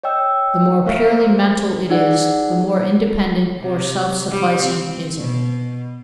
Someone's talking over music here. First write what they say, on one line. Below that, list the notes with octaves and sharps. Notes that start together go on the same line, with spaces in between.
The more purely mental it is, the more independent or self-sufficing is it.
C#5 D#5 G5 E6
A3 A#4 E5 F5 C#6
C5
D#4 G#4 D5 F#5
C3
G3
C4
B2